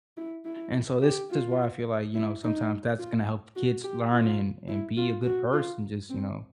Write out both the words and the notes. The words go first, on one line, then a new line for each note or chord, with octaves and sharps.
and so this this is why I feel, like, you know, sometimes that's gonna help kids learn and and be a good person, just, you know,
E4
E4
G4
F4
E4
D#4
F4
F#4
G4
F4
E4
F4
F#4
F4
C4